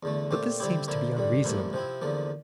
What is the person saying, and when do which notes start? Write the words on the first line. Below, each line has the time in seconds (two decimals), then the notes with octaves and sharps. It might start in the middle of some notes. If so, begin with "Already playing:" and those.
But this seems to be unreasonable.
0.03 E2 D3 A3
0.31 A#2 A3 C4 G4
0.60 D3 G3 C4 E4 G4
0.88 D3 F3 A#3 E4
1.17 G2 D3 G3
1.44 A1 G2 F3 A#3 E4
1.73 C3 F3 C4 E4
2.01 E2 D3 F3 A#3